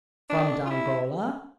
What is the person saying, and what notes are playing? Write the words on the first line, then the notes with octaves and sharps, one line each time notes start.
"From Dongola?"
D4
F4
E4